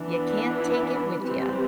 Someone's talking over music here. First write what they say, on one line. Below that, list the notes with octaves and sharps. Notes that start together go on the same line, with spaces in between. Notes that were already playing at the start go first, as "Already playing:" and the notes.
"You can't take it with ya.
Already playing: E3 B3 D4
E4
E3 G3 C4